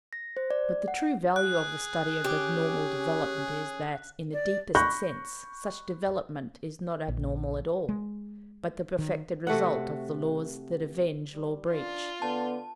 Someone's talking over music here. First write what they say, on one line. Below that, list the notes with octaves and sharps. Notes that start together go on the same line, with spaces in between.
But the true value of the study of abnormal development is that, in the deepest sense, such development is not abnormal at all, but the perfected result of the laws that avenge law-breach.
A#6
C5
D5
F#5
G#4 F#6
C#4 G4
D5
B5 C#6 F#6 G6 A#6
A#1
G#3
D#3
C3 A3 F#4 F#5
G3
D4 F4
D3 B3 A5